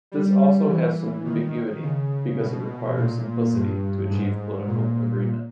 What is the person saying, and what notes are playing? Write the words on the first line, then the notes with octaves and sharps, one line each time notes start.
This also has some ambiguity, because it requires simplicity to achieve political agreement.
G3
E3
D#3
C#3
B2
A#2
G2
G#2
A#2